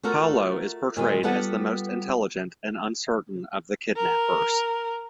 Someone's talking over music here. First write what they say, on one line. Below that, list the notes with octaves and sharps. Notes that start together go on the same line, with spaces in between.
Paulo is portrayed as the most intelligent and uncertain of the kidnappers.
A3 F4 F#4 A4 A#4
A#2 D#3 G#3
G3 B3 F4 A4 F#5
A#4